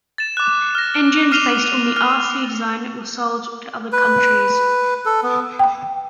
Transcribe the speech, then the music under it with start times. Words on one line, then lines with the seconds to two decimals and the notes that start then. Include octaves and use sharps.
Engines based on the Rc design were sold to other countries.
0.18 A6 E7
0.37 D6 F#6
0.75 F6 A#6
1.31 D6 F6 C7 D#7 F7 G7
1.96 F6
3.93 B4
5.06 A4
5.23 B3
5.59 G5